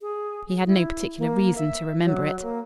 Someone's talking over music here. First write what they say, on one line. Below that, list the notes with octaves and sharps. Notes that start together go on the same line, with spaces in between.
He had no particular reason to remember it.
G#4
E4
A#3
E5
F#3
A#3